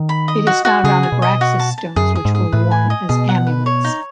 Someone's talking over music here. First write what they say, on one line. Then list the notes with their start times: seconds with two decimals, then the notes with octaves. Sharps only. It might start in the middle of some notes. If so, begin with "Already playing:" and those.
It is found on Abraxas stones, which were worn as amulets.
Already playing: D#3
0.09 B5
0.28 D#5
0.47 F#4
0.65 F#4
0.84 C#3 G#4
1.03 G#5
1.12 B2
1.22 D#5
1.41 F#4
1.59 A5
1.78 A5
1.96 F#2 G#4
2.15 G#4
2.25 G#2
2.35 G#4
2.52 A2 B4
2.71 G#5
2.90 D#5
3.09 B2 G#4
3.29 F#5
3.47 B4
3.66 C#5
3.84 D#4